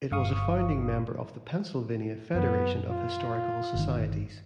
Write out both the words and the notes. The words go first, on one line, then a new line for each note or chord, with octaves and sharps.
It was a founding member of the Pennsylvania Federation of Historical Societies.
G1 F5 C#6 D#6
F#2 B3
F4
G1 D#3